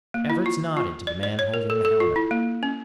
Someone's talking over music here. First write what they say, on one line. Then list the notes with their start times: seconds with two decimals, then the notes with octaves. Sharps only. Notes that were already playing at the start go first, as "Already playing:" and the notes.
Everts nodded to the man holding the helmet.
0.14 A#3
0.30 E4
0.46 F4
0.77 F4
1.07 D5
1.23 D5
1.39 C#5
1.54 A#4
1.70 A4
1.85 A4
2.00 F4
2.16 E4
2.31 A#3
2.63 C#4